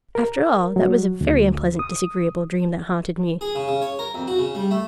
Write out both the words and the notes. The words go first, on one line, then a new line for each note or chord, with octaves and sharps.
After all, that was a very unpleasant, disagreeable dream that haunted me!
A#4
F#3
D2
D#6
G#4
C#3
C#3
C#5
A#4
F2
F#4
C#3
G3
A3